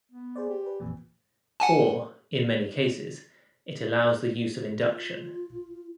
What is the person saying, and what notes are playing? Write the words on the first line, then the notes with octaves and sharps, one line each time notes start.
Or, in many cases, it allows the use of induction.
B3
G#4 C5 D5
G4
B4
A1 F2 A#2 E3
F#5 G#5 A5
F4